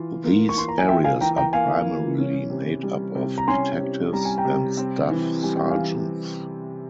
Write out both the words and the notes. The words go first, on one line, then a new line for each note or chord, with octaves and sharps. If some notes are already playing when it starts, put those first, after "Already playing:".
These areas are primarily made up of detectives and staff sergeants.
Already playing: E3 F4
A#3
C#6
E3 C6
A#5
G#5
F4 E5 G5
F5 G#5
E3 G5 A#5
G5 A#5
A#3 F5 G#5
E3
C#4
C3
G3
C3
A#5
C#4 G#5 C6
C3
G3 A#5
G#5
G5 A#5
C3
C4
E3
G3 G#5
G5
F5 G#5
E3